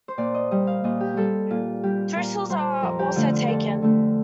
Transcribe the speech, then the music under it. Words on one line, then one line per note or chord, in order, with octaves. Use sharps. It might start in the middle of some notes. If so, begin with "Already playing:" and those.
Thistles are also taken.
C5
A#2 D5
D#5
G3 D#5
F5
A#2 D#5
G4
G3 A4
A#2 F4
G3 G4
A#2 A#4
G3 C5
F2 A#4
G4
D3 A3 F4
F4
F2 A4
D3 A3